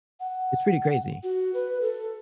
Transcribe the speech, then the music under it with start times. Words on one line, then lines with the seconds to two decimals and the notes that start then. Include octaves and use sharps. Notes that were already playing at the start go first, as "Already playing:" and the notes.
It's pretty crazy.
0.20 F#5
1.23 F#4
1.54 B4
1.82 A4